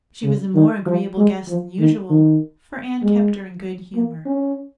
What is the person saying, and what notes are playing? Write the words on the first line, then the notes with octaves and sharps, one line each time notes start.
She was a more agreeable guest than usual, for Anne kept her in good humor.
C#3
D#3
F3
G#3
F3
D#3
D#3
G#3
A#3
C#4